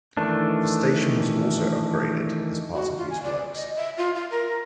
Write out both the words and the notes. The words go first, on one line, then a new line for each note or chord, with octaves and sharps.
The station was also upgraded, as part of these works.
D#3 E3 A3 D4
F#4
F4
G#5
D5
D#5
E5
F4
F4
A#4